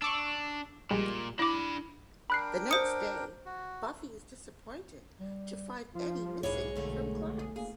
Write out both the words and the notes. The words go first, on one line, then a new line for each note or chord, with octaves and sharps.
The next day, Buffy is disappointed to find Eddie missing from class.
D4 C#6 D6 E6
A#1 A#2 G3 G#3
D4 E4 B5 D6
D4 A#4 G5 B5 F#6 C7
C5 D#6 C#7
F#4
G3
F3 F4
B1 G#2 G#3 A#3 B3 E4 C#5
E2 D3 A3 A#3
G#4
E1 A#3 G#4